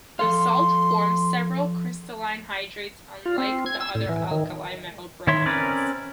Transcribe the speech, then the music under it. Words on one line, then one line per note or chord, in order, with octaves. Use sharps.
The salt forms several crystalline hydrates, unlike the other alkali metal bromides.
F3 A4 F5 C6
F4
C4
G#6
E6
A2
E3
D#3
D#3 E4 C#5 E5 C6
C4 C#4 A#4 B4 D5